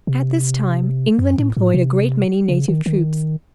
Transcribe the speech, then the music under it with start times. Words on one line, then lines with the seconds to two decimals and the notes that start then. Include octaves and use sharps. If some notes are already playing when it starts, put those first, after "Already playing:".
At this time England employed a great many native troops.
0.07 C3
1.19 F#2
1.38 A2
1.57 A2
1.74 C3
2.49 C#3
2.68 D#3
2.86 D#3